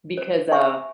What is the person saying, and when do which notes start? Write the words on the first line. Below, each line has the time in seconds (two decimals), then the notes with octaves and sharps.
Because, uh
0.17 C5
0.52 E5 G#5 C#6